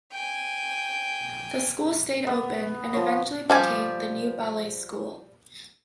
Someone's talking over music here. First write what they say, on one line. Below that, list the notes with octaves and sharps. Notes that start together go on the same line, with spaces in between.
The school stayed open and eventually became the New Ballet School.
G5 G#5
B3
F3 C#5
F3 G3 G#5